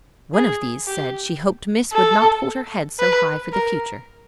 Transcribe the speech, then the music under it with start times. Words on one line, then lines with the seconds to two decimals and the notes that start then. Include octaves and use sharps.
One of these said she hoped miss would not hold her head so high for the future.
0.35 G#4
0.87 G4
1.93 A4
3.00 B4
3.53 A#4